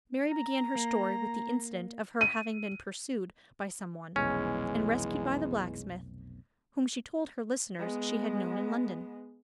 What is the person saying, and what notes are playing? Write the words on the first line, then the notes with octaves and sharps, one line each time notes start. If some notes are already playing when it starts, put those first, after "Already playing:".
Mary began her story with the incident of her having been pursued by some one, and rescued by the blacksmith, whom she told her listeners she had known in London.
A#5
A#3
D#7
F1 B1 E2 G#3 C#4
G#3 B3